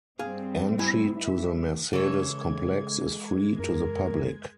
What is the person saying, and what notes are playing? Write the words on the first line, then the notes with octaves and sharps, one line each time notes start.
Entry to the Mercedes complex is free to the public.
G2 G3 C4 G#4 F5
E4 G#5
G3 E5
C#3 E3 G#3 A4 C#5 G#6
F#2 A#4